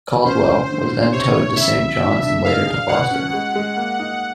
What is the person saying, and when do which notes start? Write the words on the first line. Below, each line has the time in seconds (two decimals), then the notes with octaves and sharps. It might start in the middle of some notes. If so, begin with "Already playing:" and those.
"Caldwell" was then towed to Saint John's and later to Boston.
0.25 C#4 C5
0.47 C#4
0.69 D3
0.91 D3
1.12 C3 C#5
1.35 C3
1.56 C#3 E5
1.78 C#3
2.01 D4
2.22 D4
2.45 D#4 F5
2.67 G#4
2.88 B2 F#5
3.11 C#4
3.33 G#3
3.55 G#3
3.76 A#3
3.99 D#4